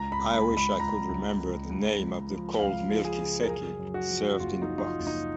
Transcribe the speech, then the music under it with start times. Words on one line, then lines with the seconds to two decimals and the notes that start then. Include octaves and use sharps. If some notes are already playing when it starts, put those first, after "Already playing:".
I wish I could remember the name of the cold milky saké served in a box.
Already playing: C#2 A#5
0.12 B5
0.19 C#2
0.34 B5
0.49 C#2
0.57 B5
0.79 C#2 A#5
1.09 C#2
1.40 C#2
1.70 C#2
1.99 C#2
2.30 F3
2.59 C#2 F5
2.89 F3
3.05 G#4
3.19 C#3
3.43 A#4
3.50 F#2 G#4
3.79 F#2
3.94 F#4
4.10 F3
4.40 F#1 F4
4.62 D#4
4.69 F3
4.78 D#4
4.84 F4
4.99 F#1
5.07 D#4